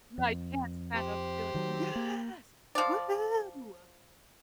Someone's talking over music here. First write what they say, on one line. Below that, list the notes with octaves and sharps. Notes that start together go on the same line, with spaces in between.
No, you can't stand up and be like, "Yes! Woo hoo!"
F2
G4 C5
D#3 F#3
A#3
F3 D5